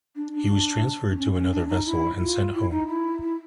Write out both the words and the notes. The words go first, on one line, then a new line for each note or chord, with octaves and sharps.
He was transferred to another vessel, and sent home.
D4
D4
D4
C#4
C#4
D4
D#4
E4
F4
E4
D#4
E4
E4